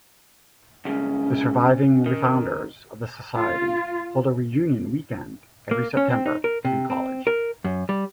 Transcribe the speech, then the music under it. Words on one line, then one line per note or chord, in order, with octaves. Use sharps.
The surviving 'Refounders' of the Society hold a reunion weekend every September in college.
C#2 G2 C#3 C#4
D#3
F4
A#3
C#4
C4
D#4
A#4
C3
C4
A#4
F#2
G3